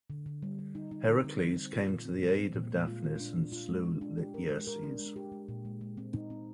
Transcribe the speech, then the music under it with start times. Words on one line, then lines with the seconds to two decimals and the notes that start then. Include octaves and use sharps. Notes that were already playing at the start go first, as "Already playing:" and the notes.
Heracles came to the aid of Daphnis and slew Lityerses.
0.10 D3
0.26 D3
0.43 G3
0.59 G3
0.75 D#4
0.91 D#4
1.08 D3
1.24 C4
1.40 G3
1.56 C4
1.73 F4
1.89 A#2
2.05 C4
2.22 G3
2.38 C4
2.55 A#2
2.71 G#3
2.87 F4
3.04 F4
3.20 D4
3.36 D4
3.52 F4
3.69 G#3
3.85 G#3
4.01 D4
4.18 G4
4.34 A#4
4.50 G#3
4.67 A#4
4.83 D4
4.99 G#3
5.16 G4
5.32 G#3
5.48 A#2
5.65 G#3
5.81 G#3
5.97 C4
6.14 D#4
6.30 C4